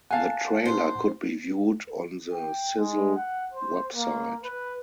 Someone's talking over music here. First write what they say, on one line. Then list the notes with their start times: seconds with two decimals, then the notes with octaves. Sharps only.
The trailer could be viewed on the Zizzle website.
0.11 F5 F#5 G#5 A5
0.65 C5
2.33 G5
2.77 G#3
3.16 F#5
3.53 C5
3.95 A#3
4.44 B4